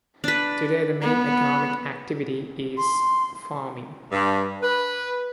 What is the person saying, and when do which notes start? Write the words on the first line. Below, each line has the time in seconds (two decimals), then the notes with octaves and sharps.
Today the main economic activity is farming.
0.24 D4 B4
1.02 B3
2.77 C6
4.12 G2
4.62 B4